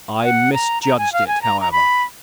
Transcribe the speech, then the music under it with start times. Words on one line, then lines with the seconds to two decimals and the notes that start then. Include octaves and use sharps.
I misjudged it, however.
0.23 F#5
0.53 A#5
0.83 A#5
0.98 G#5
1.13 F5
1.27 G#5
1.42 A#5
1.61 A#5
1.72 B5